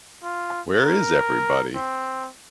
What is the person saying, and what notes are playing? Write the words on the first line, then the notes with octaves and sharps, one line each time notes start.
Where is Everybody?
F4
A#4
C4